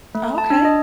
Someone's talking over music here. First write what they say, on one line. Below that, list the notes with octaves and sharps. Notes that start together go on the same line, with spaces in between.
Oh, 'kay.
A3
A5
D4
D#5